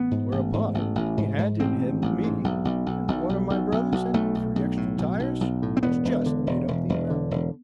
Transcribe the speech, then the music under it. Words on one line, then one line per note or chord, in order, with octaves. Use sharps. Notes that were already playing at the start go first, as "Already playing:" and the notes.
Whereupon he handed him me and one of my brothers and three extra tires, which just made up the amount.
Already playing: A1 B3
G#2
A1
G#2
A1
A1
G#2
G#2
A1 C4
G#2
A1
G#2
B1
B1
B1
B1
B1
B1
B1
B1
B1 A3
B1
B1
A2
B1
B1
B1
A2
C4
E1 B3
E1
D3
E1
E1
E1
D3
E1